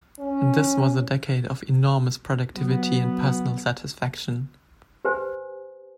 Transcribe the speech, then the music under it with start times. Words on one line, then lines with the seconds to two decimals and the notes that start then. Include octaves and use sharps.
This was a decade of enormous productivity and personal satisfaction.
0.20 C#4
2.56 F#3 B3
5.05 G4 B4 C5 G#5